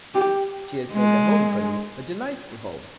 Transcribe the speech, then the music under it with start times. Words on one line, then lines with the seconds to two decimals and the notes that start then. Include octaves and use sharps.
She has made a home for me--a delightful home.
0.15 G4
0.93 G#3